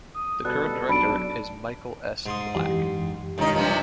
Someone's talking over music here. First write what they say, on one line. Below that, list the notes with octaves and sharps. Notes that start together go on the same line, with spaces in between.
The current director is Michael S. Black.
D#6
B2 G3 A4 F#6
B1 D4 A5 B5 D7
G#2 C6 D#6
F#2 E3 G4
C#2 D#3 D#4
G2 C3 F3